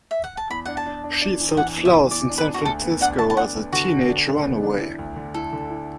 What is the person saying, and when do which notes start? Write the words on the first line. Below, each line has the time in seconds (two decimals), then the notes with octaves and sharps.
She sold flowers in San Francisco as a teenage runaway.
0.11 E5
0.24 F#5
0.37 A5
0.50 E2 B5
0.65 D4 F#5
0.77 A5
0.86 D4
1.04 D4
1.22 D4
1.40 E3
1.57 E3 F#5
1.76 E2
1.85 E5
1.93 E3
2.11 E2 D5
2.29 D4
2.38 B4
2.48 D4
2.54 F#4
2.65 D2 A4
2.83 B3
3.01 D4 F#5
3.18 D2 A5
3.30 A5
3.37 D4 F#5
3.55 B3
3.72 D3 F#4
3.91 D3
4.09 D4
4.27 D3
4.45 B3
4.63 D4
4.81 E4
4.99 D2
5.16 D3
5.34 E4 A4
5.53 D3
5.70 E4